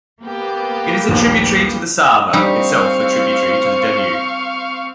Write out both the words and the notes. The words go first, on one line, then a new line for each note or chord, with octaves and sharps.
It is a tributary to the Sava, itself a tributary to the Danube.
A#3 B3 G4
A#1 D#2
G3 C4 D#4 C5 F5 C#6